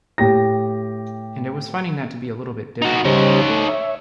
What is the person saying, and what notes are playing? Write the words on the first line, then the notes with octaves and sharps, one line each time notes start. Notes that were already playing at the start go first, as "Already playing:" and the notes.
And I was finding that to be a little bit difficult.
A2 G4 A#6
D#4 F#4
C#3 G3 D#4 C5 C#5
A3
C#5 E5